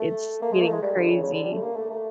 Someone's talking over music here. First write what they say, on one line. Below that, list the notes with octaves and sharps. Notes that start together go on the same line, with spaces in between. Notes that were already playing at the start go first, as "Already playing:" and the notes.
it's getting crazy.
Already playing: A3
A#3
G#3
A#3
A3
G#3
G3
D3
C#3
C#3
D3
G3
A3
A#3
A3
A3